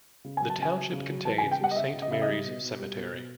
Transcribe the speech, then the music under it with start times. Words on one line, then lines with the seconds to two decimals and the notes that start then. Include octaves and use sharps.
The township contains Saint Marys Cemetery.
0.24 C#3
0.37 G#5
0.40 F#3
0.50 A5
0.58 C#3 G#5
0.75 F#3
0.92 C#3
1.09 F#3
1.25 E3 A5
1.38 G#5
1.43 C#3
1.52 G5
1.60 G3 F#5
1.71 D#5
1.76 C#3 E5
1.93 C#3
2.02 D#5
2.11 C#3 E5
2.22 D#5
2.28 G3
2.44 B2
2.62 B2
2.79 G3
2.95 B2
3.13 B2